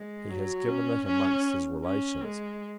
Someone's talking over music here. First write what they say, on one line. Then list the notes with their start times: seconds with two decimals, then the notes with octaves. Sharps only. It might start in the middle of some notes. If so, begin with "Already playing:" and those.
He has given it amongst his relations.
Already playing: G#3
0.29 F#3
0.68 C#4
1.06 C#4
1.84 C#4
2.24 G#3